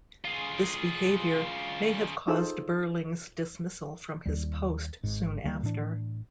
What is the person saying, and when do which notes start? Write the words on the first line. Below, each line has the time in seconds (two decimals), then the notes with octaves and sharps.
This behaviour may have caused Berlings' dismissal from his post soon after.
0.25 F4 G#4
2.28 D#4 F4 G#4 A4 C5 E6
4.26 D#2 G3
5.04 G#1 G#2
5.44 D2 G3 A#3
5.63 A2 E3 D4